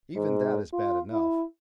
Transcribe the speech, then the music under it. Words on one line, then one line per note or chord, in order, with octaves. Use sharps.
Even that is bad enough.
G#2
F4
E4